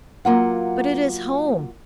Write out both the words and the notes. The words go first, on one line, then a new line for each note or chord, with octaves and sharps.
But it is home.
F#3 A#3 F4 F#5